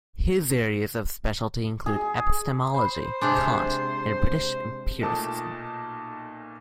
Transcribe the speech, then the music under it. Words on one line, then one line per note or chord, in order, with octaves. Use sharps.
His areas of specialty include epistemology, Kant, and British empiricism.
G#4
C5 B5
C3 G#3 D4 G#5 C6 G6
B1 A#2 A3 A5 D6 D#6